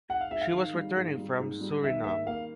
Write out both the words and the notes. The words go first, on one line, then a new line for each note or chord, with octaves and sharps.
She was returning from Suriname.
G#2 F#5
F5
G#2 E5
F5
D#3
G3
G#2
G3
G#2
G3
D#3 E5
A#3 E5
A#3 F5